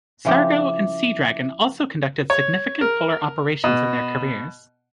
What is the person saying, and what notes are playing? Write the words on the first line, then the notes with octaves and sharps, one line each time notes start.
"Sargo" and "Seadragon" also conducted significant polar operations in their careers.
C#3 F3 E4 G4 E5 D6
C#5
A#4
B2